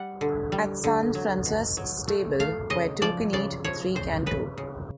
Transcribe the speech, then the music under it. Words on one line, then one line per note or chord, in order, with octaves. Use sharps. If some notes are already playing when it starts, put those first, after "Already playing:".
At Sant Francesc’s table, where two can eat, three can too.
Already playing: G3 F#5
D3
G3
D3
F#3
B2
F#3
A3
A3 F5
C#3 D#5
F3 D5
C#3 D5
F3 C#5
C#3 C5
C#3 B4
C#3